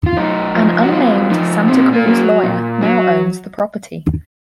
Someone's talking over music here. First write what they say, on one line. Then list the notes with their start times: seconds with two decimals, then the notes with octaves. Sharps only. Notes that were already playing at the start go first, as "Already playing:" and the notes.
An unnamed Santa Cruz lawyer now owns the property.
0.06 F4
0.17 F#2 D#4
0.55 F3
0.83 F#4
0.92 F#2 F4
1.30 F3 D#4
1.68 A#2 C4
1.93 A#3
2.05 F#3
2.43 A#2
2.81 F#3